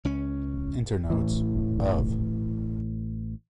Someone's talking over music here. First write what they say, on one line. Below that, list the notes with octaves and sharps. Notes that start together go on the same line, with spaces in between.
Internodes, of.
C#2 C#4
A1 A2 E3